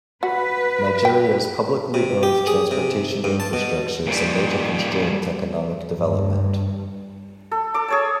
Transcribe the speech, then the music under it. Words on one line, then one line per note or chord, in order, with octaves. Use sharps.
Nigeria's publicly owned transportation infrastructure is a major constraint to economic development.
F#4 B4
G5
C3
G4
G#4
C3
G2
A5
B2
A#2 G3
G2
A4
A4 D6
G#4 C#5 A5